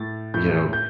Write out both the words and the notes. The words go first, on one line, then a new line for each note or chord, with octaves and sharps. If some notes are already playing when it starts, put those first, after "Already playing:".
you know
Already playing: A2 A6
A2 G6
G6